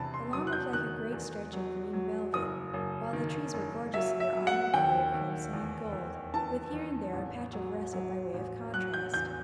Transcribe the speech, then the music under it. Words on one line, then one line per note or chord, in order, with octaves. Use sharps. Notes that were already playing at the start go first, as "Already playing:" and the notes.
The lawn looked like a great stretch of green velvet, while the trees were gorgeous in their autumn glory of crimson and gold, with here and there a patch of russet by way of contrast.
Already playing: E2 C3 A5 B5
C6
F#3 D#6
F#6
G6
D#3 F#6
E2
F#3
F#3
F#1 D#6
F#1
D#3
F#1
F#3 E5
E5
F#3
F#5
D#2 G5
D#2
E2
E2
E3 A5
E2
A1
F#3
F#3
A1
F#3 F#6
G6
E2 G6